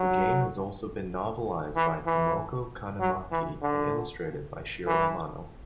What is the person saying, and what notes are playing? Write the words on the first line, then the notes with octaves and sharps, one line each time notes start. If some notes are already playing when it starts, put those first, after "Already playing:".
The game has also been novelized by Tomoco Kanemaki and illustrated by Shiro Amano.
Already playing: F#3
E3
E3
F#3
E3
D3
E3